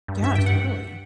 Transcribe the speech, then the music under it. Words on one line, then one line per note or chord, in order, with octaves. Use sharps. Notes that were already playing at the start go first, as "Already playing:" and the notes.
Yeah, totally.
G2
G2 E5
G2 G5
F#5